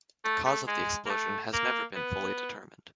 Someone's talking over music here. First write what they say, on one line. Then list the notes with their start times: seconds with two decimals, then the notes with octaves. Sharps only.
The cause of the explosion has never been fully determined.
0.25 A3
0.46 A3
0.67 G#3
1.06 A#3
1.10 A3
1.53 A#3
1.96 B3